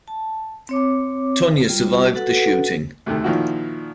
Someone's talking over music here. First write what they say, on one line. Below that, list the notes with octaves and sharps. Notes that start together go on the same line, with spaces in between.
Tonya survived the shooting.
A5
C4 C#5 D6
G3 F4
F#4 A4 B4 F#5
D2 C3 D#3 A3
A#2 D#3 F3 E4 F#4